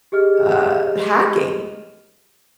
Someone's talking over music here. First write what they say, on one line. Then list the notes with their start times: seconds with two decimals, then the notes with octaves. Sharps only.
uh, hacking
0.12 G4 G#4 D#5 F6